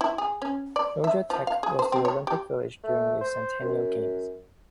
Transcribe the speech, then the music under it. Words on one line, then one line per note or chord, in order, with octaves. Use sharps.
Georgia Tech was the Olympic Village during the Centennial Games.
E4
G#4
C#4
D5
E5
F3
F5
G#4
C5
C4
C#5
G4
A3
C5
F#2